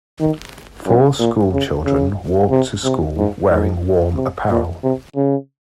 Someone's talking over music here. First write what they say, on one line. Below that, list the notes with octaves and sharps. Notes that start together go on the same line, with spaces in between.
Four school children walk to school wearing warm apparel.
D#3
F#2
A#2
C#3
C#3
C3
C3
G#2
G#2
C3
A#2
C3
C#3